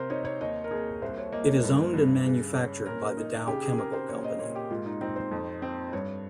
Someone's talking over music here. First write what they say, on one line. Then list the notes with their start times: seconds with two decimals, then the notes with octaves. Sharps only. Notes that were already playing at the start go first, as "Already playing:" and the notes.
It is owned and manufactured by The Dow Chemical Company.
Already playing: C3 A#4 C5
0.10 D#4 C#5
0.25 C#5
0.41 D#2 D#5
0.64 A#4
0.71 D#2 G#4
1.02 C2 C5
1.18 C#5
1.32 A#3 D#5
1.48 C#5
1.63 G2
1.94 G2
2.25 C#3
2.55 C#4
2.86 A#2 A#4
3.17 D#4
3.47 C#3 G4
3.62 G#4
3.78 C#3 A#4
3.93 C5
4.09 A#2 C#5
4.24 D#5
4.39 A#2 C#5
4.55 G4
4.70 G#2 F4
4.86 D#4
5.01 C4 D#4
5.16 C5
5.31 F2
5.62 C4
5.93 G2 C#5